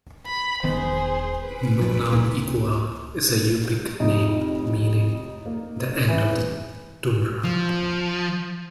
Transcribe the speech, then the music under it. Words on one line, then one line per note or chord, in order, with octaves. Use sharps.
"Nunam Iqua" is a Yupik name meaning "the end of the tundra".
B5
E1 D#3 B3 G#4 C5
B4
G2 F3
C#2 A#3
F2 A2 C3 D#4
A#3
E3
F3